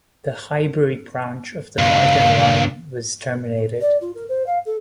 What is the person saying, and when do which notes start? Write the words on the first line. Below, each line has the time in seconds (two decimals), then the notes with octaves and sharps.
The Highbury Branch of the Northern line was terminated.
1.78 C#2 G2 F5
3.81 D5
4.01 F4
4.15 A#4
4.28 C5
4.46 F5
4.65 A4